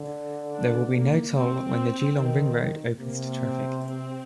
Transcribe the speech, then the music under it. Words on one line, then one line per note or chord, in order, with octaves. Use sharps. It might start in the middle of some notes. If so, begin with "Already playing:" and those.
There will be no toll when the Geelong Ring Road opens to traffic.
Already playing: D3
D4
A#3
C4
D#3
C3 A#3
C4
C4